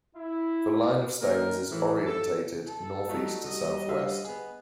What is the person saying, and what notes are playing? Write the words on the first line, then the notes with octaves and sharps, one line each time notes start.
The line of stones is orientated north-east to south-west.
E4
A#2 D3 D#3 A#4
A2 E3
A4
A4
F#3 G3 A3 D#4
G3 D#5
D3 E5 F5
B3 G#4